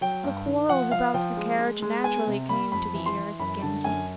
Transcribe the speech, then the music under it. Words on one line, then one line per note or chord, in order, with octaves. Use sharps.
The quarrels about the carriage naturally came to the ears of Genji.
F#3 G5
G2
D#3
F3 F#5
F3 F5
F3 G5
G#3
G#3
G#3
B3 G#5
C3
G3 B5
F2 B5
E3
C6
E3
F#2 B5
D3 A5
F#2 G#5